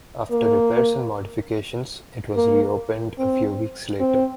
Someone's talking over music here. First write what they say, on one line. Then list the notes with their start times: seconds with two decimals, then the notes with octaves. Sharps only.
After repairs and modifications, it was reopened a few weeks later.
0.31 A#3
2.36 A#3
3.18 C4
4.00 C4